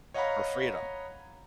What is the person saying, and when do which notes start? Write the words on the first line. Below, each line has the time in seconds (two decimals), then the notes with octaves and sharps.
her freedom.
0.14 C#5 D#5 F5 F#5 A#5 B5